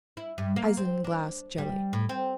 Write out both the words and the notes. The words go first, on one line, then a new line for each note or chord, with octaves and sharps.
Isinglass Jelly.
E4
G2
A#3
C4
D4
G3
A2
C4